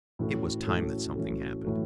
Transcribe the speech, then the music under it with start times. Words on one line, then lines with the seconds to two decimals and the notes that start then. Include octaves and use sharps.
It was time that something happened.
0.19 A2 E3 C#4 F#4 A4
0.67 A2 E3 C#4 F#4 A4
1.15 A2 E3 C#4 F#4 A4
1.64 A2 E3 C#4 F#4 A4